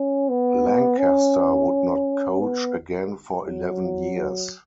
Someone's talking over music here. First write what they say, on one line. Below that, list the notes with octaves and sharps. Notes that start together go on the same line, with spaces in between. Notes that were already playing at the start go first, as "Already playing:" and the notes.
Lancaster would not coach again for eleven years.
Already playing: C#4
B3
C#4
B3
F#3